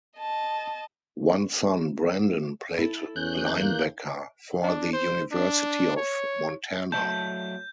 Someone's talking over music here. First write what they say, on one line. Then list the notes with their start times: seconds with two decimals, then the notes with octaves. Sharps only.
One son, Brandon, played linebacker for the University of Montana.
0.18 D#5 A5
2.79 E4 A4
3.16 E2 C#4 F#6 G6
3.59 A#3
4.63 D4
4.93 C5
5.32 D4
5.97 C#5
6.92 F#3 A3 A5 G6